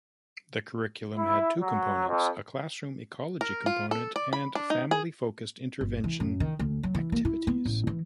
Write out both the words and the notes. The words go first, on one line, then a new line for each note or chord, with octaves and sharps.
The curriculum had two components: a classroom ecology component and family-focused intervention activities.
E4
F#3
F2
A#4
F4
A4
D5
B5
D4
D#4
G#4
G1
E3
F#2
D#3
D2
F#3
E3
A#3
E4
B3
A1
E3